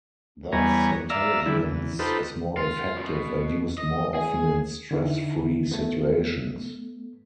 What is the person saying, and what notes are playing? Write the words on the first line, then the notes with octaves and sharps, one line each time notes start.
Thus, intelligence is more effective and used more often in stress-free situations.
E2 G3 B3 C#5 G#5 A#5
D5 E5 F5 A#5 E6
D3 E3 G3 E4
E2
D#4 F4 G4 A4 B4 C5
F4
B2
D#5
G#4
D3 D#4 E4
A3 B3